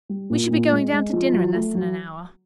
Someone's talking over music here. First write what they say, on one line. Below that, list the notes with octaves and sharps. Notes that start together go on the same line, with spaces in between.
"We shall be going down to dinner in less than an hour."
G3
A#2
A#2
G#3
G#3
F3
F#3
A3
F#3